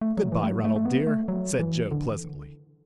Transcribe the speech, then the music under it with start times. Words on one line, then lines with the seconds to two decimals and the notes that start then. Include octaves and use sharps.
"Good-by, Ronald dear," said Joe pleasantly.
0.01 A3
0.17 F#3
0.32 E3
0.43 A3
0.49 F#3
0.65 A3
0.76 A3
0.85 B3
1.07 A3
1.28 F#3
1.59 E3
1.91 D3